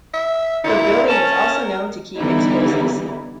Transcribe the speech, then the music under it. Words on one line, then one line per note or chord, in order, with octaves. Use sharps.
The building was also known to keep explosives.
E5
A#2 D3 E4
C#4 A#4 A5
D3 E3 G3 B3 D#4 E4